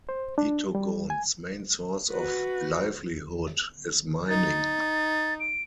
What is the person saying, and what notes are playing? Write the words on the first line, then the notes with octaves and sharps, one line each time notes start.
Itogon's main source of livelihood is mining.
C5
D4
G3
G#5
F#4 B4
D#4 A6
D7